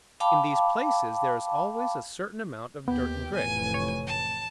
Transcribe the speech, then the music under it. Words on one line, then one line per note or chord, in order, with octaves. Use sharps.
In these places there is always a certain amount of dirt and grit.
F5 G5 A5 B5 D6
D#2 B3 G4
F1 A2 E3 G#5
C#5
A5